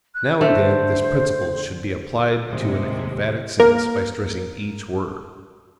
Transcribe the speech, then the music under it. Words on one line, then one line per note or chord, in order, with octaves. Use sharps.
Now and then this principle should be applied to an emphatic sentence by stressing each word.
F#6
D3 A3 C5
D#2 A2 C3 G#3
A#3 A#4